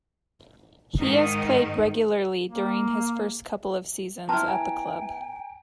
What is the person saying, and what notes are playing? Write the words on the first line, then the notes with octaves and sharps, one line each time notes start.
He has played regularly during his first couple of seasons at the club.
G#2 D#3 D#4
A#3
B3 E4 G5 A5 A#5 C6 F6
G5 G#5 A#5